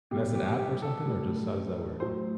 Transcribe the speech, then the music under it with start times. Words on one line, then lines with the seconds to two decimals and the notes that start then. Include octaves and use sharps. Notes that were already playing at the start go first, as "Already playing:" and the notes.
And that's an app or something, or just how does that work?
0.11 B2 G4
0.16 G3
0.34 G4
0.58 G4
0.82 A4
1.06 A2 G3
2.00 A2 F#3 C5